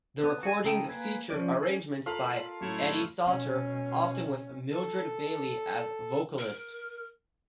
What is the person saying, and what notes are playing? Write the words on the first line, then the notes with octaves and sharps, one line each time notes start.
The recordings featured arrangements by Eddie Sauter, often with Mildred Bailey as vocalist.
B3
F#4 G#4 G#5
C#3 D#4 A4 G5 B5
A#3 B4 G#5
F3 C#4 D5
C#4 G#4
F4 A4 A#4 F5 B5
F#2 A2 A3 E4 C#5
B2 C#4
A4
A#4